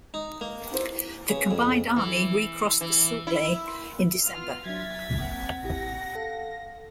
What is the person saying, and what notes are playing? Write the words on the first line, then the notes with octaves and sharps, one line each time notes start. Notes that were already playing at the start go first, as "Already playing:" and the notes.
The combined army recrossed the Sutlej in December.
D#4
A#3
C#3
F2
E3
E3
E4
B3 F4 F6
F#3 D4 E5 G#6 A6 B6
A#3 C4 F#5
A1 E4 G4 A#6
A4 F5